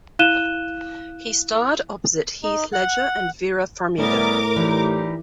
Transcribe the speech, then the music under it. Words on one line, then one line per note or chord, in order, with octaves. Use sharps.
He starred opposite Heath Ledger and Vera Farmiga.
E4 F5 F#6 D#7 E7 G7
D#4
F#5
A2 E3 G3 B3 A#4 D6
E3 G3 D#4 G4